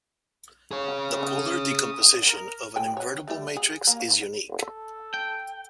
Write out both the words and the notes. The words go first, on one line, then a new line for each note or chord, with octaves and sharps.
The polar decomposition of an invertible matrix is unique.
G#4 C#5
D#6
A#4
G5 G#5
B4 C#5
G3 A3
G#4
A#3
A4
G5